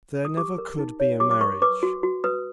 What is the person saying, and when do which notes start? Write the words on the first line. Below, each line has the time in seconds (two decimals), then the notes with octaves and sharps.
There never could be a marriage.
0.25 D#6
0.37 G4 D6
0.58 A#4
0.79 D#4
1.00 C#5
1.20 G4 D6
1.31 D6
1.41 A#4 C#6
1.62 B4 D6
1.83 F#4
2.03 F#4
2.24 B4 D#6